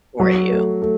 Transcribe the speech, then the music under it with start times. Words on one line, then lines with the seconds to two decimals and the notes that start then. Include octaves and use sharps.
for you.
0.20 F#3
0.51 A3
0.82 A3